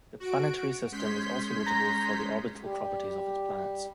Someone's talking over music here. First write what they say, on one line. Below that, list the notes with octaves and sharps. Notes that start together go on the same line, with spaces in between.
The planetary system is also notable for the orbital properties of its planets.
F#4 D7
G#3 C#4 C6 G6 B6
A#5
G3 G4